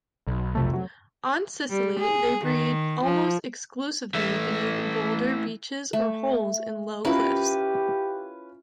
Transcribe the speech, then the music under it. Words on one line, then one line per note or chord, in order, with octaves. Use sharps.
On Scilly, they breed almost exclusively beneath boulder beaches or holes in low cliffs.
B1
F2 C3 A3
F#3
G3
G#4
D#3
F3
E3 A3
A3
C#4 E4 F4 G4 A#4 B4